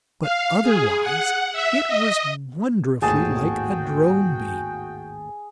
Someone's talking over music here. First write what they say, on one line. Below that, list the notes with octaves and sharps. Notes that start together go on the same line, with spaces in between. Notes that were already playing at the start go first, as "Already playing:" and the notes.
But otherwise it was wonderfully like a drone bee.
F5
G#4
F#5
E5
D#5
G#1 D#2 A2 F#4 G#4 G5 A5